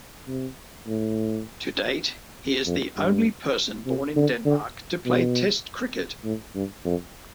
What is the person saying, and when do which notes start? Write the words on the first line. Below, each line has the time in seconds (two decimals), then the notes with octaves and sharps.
To date, he is the only person born in Denmark to play Test cricket.
0.28 C3
0.87 A2
2.66 F2
2.97 G2
3.86 C3
4.16 D3
4.45 D3
5.06 B2
6.25 A2
6.55 G2
6.85 F2